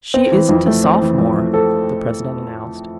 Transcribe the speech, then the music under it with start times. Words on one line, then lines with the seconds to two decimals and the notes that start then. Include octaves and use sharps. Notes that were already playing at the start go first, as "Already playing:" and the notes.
"She isn't a sophomore," the president announced.
0.14 C4
0.32 E3
0.49 F2
0.67 A3
0.84 C4
1.01 E3
1.18 F2
1.36 A3
1.53 C4 A4